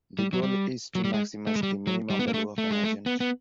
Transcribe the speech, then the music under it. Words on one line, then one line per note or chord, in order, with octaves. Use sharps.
The goal is to maximize the minimum value of an agent.
G3
F#3
G3
F#3
G3
G#3
A3
G#3
G3
F#3
G3
B3
A#3
A3
A3
G#3
A3
B3
B3